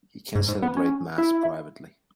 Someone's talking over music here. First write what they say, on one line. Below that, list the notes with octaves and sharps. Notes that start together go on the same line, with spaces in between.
He can celebrate Mass privately.
G#2
G#2
B3
C#4
E4